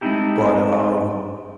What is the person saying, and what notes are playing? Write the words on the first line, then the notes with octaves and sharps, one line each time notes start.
but, um,
G#3 A3 C4 D#4 E4 G4